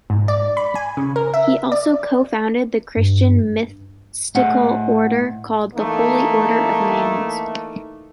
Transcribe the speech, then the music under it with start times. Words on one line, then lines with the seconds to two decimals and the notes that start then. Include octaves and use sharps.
He also co-founded the Christian mystical order called the The Holy Order of Mans.
0.10 G#2
0.28 D5
0.57 B5
0.75 G#5
0.97 C#3
1.16 A#4
1.34 E5
1.72 D5
2.96 G2
4.35 A2 F#5
5.75 E3 A3 A#3 D#4